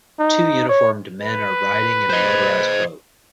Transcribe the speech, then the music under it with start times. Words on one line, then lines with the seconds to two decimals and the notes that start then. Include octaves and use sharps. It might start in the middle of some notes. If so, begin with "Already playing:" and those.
Two uniformed men are riding in a motorized boat.
0.19 D#4
0.69 C#5
1.21 B4
2.10 C5 D#5